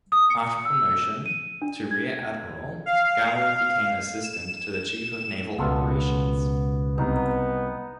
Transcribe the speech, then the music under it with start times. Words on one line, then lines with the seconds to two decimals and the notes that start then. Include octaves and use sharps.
After promotion to rear admiral, Gallery became Assistant to the Chief of Naval Operations.
0.12 D#6
0.30 C#7
0.65 E6
1.26 D#7
1.62 D4
1.91 G#6
2.86 F5
4.23 E7
5.58 C#2 B2 B3 F4 A4 F#5
6.98 C2 B3 D#4